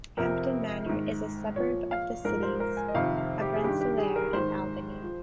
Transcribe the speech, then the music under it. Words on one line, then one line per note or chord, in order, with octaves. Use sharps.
Hampton Manor is a suburb of the cities of Rensselaer and Albany.
F2 C3 F3 A#4
G#2 D#3
A#2 F3 C#5
F5
G#2 F3 A#4
C5
A#4
G#5
D#5
F2 C3 D#3 F5
F5
G4
G#4
G2 D#3 G4
G4
G#4
A#4
G#2 D#3 C5
F3